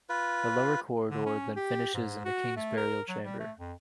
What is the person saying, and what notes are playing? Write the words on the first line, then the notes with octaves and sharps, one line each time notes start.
The lower corridor then finishes in the king's burial chamber.
F4 B4
D3
C#4
G4
G#2
F#4
A3
A#4
F#3
G3
A3
F2